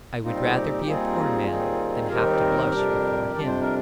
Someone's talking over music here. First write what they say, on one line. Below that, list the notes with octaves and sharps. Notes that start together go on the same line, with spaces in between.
I would rather be a poor man than have to blush before him.'
A#2 G3 C4 D#4 F4
G#4
G4
A#2 G3 C4 D#4 F4 G#4
D#2 D#3 G3 C4 D#4
D#2 D#3 G3 C4 D#4 G4 A#4
F2 C3 G3 D4
F2 C3 G3 D4 D5
C5
A#4